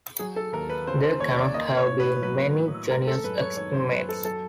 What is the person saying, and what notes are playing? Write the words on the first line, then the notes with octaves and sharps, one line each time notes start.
There cannot have been many genuine ex-inmates.
F#3 G#4
A4
D#2 A#4
B4
C#3 C5
C5
D#2 C#5
D5
A#3 D#5
C#5
A2
B4
F#3 B4
A2
G#3 A#4
A4
F#2 B4
C#5
D#3 C#5
C5
F#2 B4
A4
F#3 A4